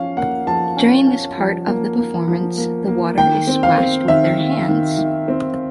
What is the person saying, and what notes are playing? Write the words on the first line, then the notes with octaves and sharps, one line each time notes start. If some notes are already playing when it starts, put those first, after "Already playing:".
During this part of the performance, the water is splashed with their hands.
Already playing: F3 C#4 F5
A#3 F#5
F3 A5
C#4
C#4
F3
A#3
A#3
F3
A#3
A#3
D#3 G5
C4
F5
C4
D#3 E5
D#3
D#3
D#3
C4